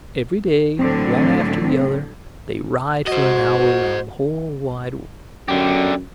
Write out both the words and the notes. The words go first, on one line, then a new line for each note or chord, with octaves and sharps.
Every day, one after the other, they ride for an hour round the whole wide world.
A2 D3 F#3 C4
F#4 C5 D#5
F#2 D3 G4